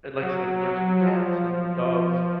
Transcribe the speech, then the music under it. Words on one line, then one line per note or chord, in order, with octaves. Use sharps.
and like I said, I'm allergic to cats and the dogs,
F#3
F#3
F3